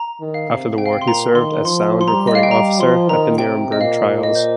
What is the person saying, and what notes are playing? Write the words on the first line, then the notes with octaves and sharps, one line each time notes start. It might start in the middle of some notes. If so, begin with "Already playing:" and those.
After the war, he served as Sound Recording Officer at the Nuremberg Trials.
Already playing: A#5
D#3
F5
C3
C3 G5
F5
G5
C6
A#2 A#5
D#3 C6
F3 C6
C6
G3 A#5
D#5
F5
G5
G3 A#5
F3 C6
D#3 A#5
C3 G5
D#5
A#2 F5
A#2 D#5
C5